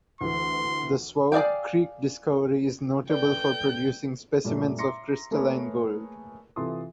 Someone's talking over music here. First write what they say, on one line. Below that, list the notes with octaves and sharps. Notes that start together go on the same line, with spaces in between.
The Swauk creek discovery is notable for producing specimens of crystalline gold.
D2 E3 C6
G#4 D5 E5 F5 G5
A4 B4 D5 G5 G6
F#2 A#2 G3 A3
E5 A#5 C6 D6 A#6 C#7
A3 A#3 G#4 A#4 B4 C#5
C3 E3 F4 A4 C6 D#6